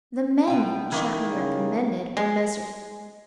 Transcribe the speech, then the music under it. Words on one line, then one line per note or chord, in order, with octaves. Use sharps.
The men whom Chapman recommended were Messrs.
B2 G5
D#3 E3 A#3
C#3
G#3